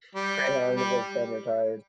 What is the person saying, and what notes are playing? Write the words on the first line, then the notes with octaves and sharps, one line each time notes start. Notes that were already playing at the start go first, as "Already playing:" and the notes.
Greyhound was then retired.
G3
G3